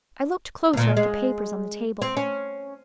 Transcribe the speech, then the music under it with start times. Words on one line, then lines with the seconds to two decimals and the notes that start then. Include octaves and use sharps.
I looked closer at the papers on the table.
0.73 D2 A#2
0.97 G#3
2.02 C4
2.17 C#4